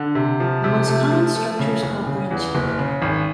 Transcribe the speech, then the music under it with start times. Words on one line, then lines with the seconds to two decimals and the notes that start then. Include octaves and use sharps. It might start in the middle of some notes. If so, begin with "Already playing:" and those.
The most common structure is called branching.
Already playing: D3
0.15 C3
0.40 F3
0.64 C3
0.88 A3
1.11 F3
1.35 A3
1.59 C#3
1.82 F#1
2.07 C#3
2.31 E2
2.55 F#1
2.79 C#3
3.02 G#1